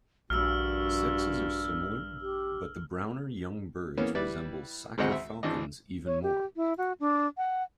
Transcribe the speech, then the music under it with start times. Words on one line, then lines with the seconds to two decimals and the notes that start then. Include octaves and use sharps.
Sexes are similar, but the browner young birds resemble saker falcons even more.
0.30 A#1 G2 F#4 E6 F6
2.21 G4
3.97 E3 A#3 B3 C#4
4.15 G3 E4 B4 D5
4.98 G#1 D2 G#3 C4 D#5 F#5
5.12 E5
5.43 G#1 E3 D4 D#5
6.06 C#5
6.23 G4
6.56 E4
6.78 F#4
7.00 D4
7.37 F#5